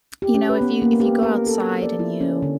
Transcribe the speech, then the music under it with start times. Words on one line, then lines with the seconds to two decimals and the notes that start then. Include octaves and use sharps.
you know, if you if you go outside and you
0.22 G4
0.34 C#4
0.49 B4
0.61 B3
0.82 A#3
1.00 G4
1.23 A#4
1.47 A4
1.82 D5
1.99 E4
2.21 C#4
2.42 D3